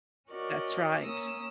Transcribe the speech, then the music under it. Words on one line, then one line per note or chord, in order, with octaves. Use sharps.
That's right.
C#4 F#4 A#4 D5 D#5
A#3 C#4 D#6 E6